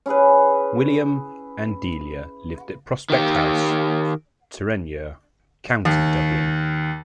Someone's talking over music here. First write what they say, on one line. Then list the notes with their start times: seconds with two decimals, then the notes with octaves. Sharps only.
William and Delia lived at Prospect House, Terenure, County Dublin.
0.06 C#4 E4 G#4 B4
3.10 D#3 G4
5.85 D#2